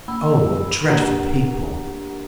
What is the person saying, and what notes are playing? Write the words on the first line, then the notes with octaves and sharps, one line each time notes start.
Oh, what dreadful people!
A#3 B5 E6
A#3 D4 G4 A#4 F#5 A#5